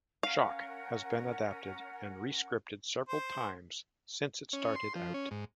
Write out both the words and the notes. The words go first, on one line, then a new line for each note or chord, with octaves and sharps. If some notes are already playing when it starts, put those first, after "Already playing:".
"Shock" has been adapted and re-scripted several times since it started out.
C#4 A#4 F5 F#5
C5
C#4
C6
F3
C#4
G#2